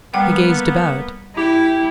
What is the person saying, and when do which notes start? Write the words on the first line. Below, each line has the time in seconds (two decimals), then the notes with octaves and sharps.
He gazed about.
0.14 G3 A#3 B3 F#5 G5
1.36 E4 G4